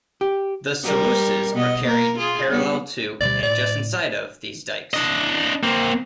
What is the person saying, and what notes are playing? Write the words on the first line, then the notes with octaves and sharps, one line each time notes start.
The sluices are carried parallel to, and just inside of, these dykes.
G4
G3 A#4
B2 B3 D#5
A#3 A#4
F4 G#4
G3 B3 D4
D2 B2 G3 D5
A2 D5
D4 D#5
A#3 C4